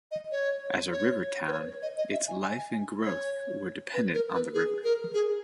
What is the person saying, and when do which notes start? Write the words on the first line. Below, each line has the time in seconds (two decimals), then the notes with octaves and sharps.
As a river town, its life and growth were dependent on the river.
0.11 D#5
0.31 C#5
0.92 C#5
1.48 B4
1.52 C#5
1.82 D#5
1.98 D#5
2.13 E5
2.28 G#5
2.43 G#5
2.58 G#5
3.03 C#5
3.94 B4
4.14 A#4
4.34 B4
4.54 G#4
4.84 A#4
5.14 G#4